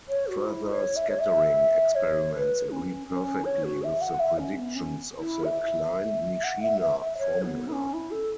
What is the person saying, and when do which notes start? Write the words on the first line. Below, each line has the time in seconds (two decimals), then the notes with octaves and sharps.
Further scattering experiments agreed perfectly with the predictions of the Klein-Nishina formula.
0.09 C#5
0.27 F#4
0.47 E4
0.71 C#5
0.96 E5
1.09 C#5
1.21 E5
1.95 C#5
2.33 C#5
2.37 B4
2.70 C#4
3.08 C#4
3.45 C#5
3.64 F#4
3.83 E5
4.01 F#5
4.20 E5
4.39 C#4
4.57 B3
4.76 C#4
5.19 E4
5.44 E5
6.44 F#5
6.62 E5
6.81 E5
7.00 E5
7.18 C#5
7.43 B3
7.68 E4
7.72 C#4
7.94 E4
8.11 A4